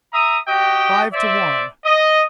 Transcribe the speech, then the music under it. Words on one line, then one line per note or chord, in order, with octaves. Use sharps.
Five to one!
E5 A#5 D#6
F#4 G4 D#5 G5
C5 D5 E5
D#5